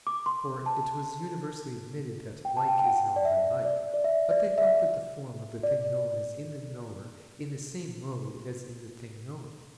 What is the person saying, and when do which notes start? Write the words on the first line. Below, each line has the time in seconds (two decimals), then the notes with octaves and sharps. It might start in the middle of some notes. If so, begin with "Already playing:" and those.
For it was universally admitted that "like is known by like." But they thought that the form of the thing known is in the knower in the same mode as in the thing known.
0.07 D6
0.26 C6
0.66 A5
2.45 G5
2.57 A5
2.68 G5
2.79 G5
2.85 F#5
3.16 D5
3.25 E5
3.65 D5
3.94 D5
4.04 E5
4.31 D5
4.58 E5
5.63 D5